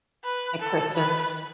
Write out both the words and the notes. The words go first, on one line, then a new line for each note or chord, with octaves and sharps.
At Christmas.
B4
A4
B4